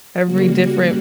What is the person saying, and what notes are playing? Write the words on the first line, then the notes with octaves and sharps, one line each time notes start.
every different
C#3 G3 A#3 F#4